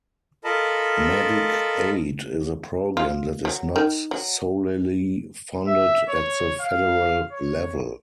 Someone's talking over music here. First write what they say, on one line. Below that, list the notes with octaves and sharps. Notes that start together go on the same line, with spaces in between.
Medicaid is a program that is not solely funded at the federal level.
F4 A4 A#4 D#5 A5 B5
F4
F#3
D#3
F#3
E5
C#5
F5
C#5